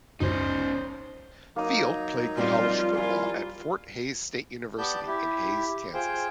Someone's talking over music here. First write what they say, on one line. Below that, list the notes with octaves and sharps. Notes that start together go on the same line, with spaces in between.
Field played college baseball at Fort Hays State University in Hays, Kansas.
G#1 C#2 F#2 C#4 D#4 C5
F#3 A#3 D#4 D#6
F3 G3 C4 F4
E4 F4 A#4 G#5
B3 G4 D5 A5 G6
E4 G4
F4 G#4 C5 G5